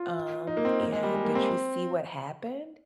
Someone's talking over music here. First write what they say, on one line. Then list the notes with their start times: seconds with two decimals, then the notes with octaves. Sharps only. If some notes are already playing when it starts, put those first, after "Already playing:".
Um, and did you see what happened?
Already playing: F4
0.47 D#4
0.57 A#3
0.65 C4
0.81 A#3
0.92 G#3
1.03 G3
1.14 G#3
1.24 A#3
1.35 C4